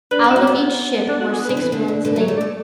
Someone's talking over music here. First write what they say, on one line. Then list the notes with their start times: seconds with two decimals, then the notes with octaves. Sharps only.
Out of each ship were six men slain.
0.11 D4 B4
0.24 C#4
0.30 E4
0.35 C#4 F#4
0.47 B3
1.08 D4
1.20 F#4
1.32 G#4
1.45 B4
1.49 D3
1.56 E3 B4
1.72 D3
1.88 D3
2.05 D3 B4
2.16 F#3 C#5
2.28 A3
2.37 D5
2.41 A3